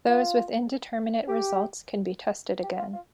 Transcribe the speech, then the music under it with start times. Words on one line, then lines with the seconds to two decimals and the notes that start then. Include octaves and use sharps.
Those with indeterminate results can be tested again.
0.07 F4
1.28 G4
2.63 G4
2.78 F4
2.93 F4